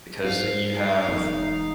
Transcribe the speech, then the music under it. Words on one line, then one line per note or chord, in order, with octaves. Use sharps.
because you have
G#2 F5
E1 D#4